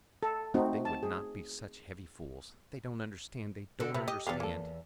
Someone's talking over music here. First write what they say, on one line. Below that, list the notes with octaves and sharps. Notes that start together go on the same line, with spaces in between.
"If they would not be such heavy fools: they don't understand; they don't understand."
A4
A3 C4 D#4 F#4
A5
G#4
D3 F#4
C3 A3 B4
G4 D#5
E2 F3 B3 G4 F5
A#3 A4